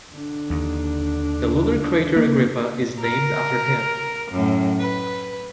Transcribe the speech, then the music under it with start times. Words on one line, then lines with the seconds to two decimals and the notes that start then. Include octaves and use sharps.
The lunar crater Agrippa is named after him.
0.14 D3 D4
0.50 D#2
2.16 A#3
3.00 A#4
4.32 F#2 A2
4.80 B4